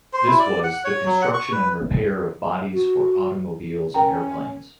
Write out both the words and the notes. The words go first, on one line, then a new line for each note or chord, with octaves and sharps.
This was: "the construction and repair of bodies for automobiles and airplanes".
C5
E4
D5
F#5
C#5
F#3
F#5
C#6
B4
F#4
C#4 A#4 G5 A#5